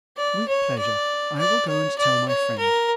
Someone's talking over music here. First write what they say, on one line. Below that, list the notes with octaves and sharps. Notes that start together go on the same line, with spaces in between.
"With pleasure; I will go and tell my friend."
D5
C#5
D5
D5
C#5
D5
C#5
A#4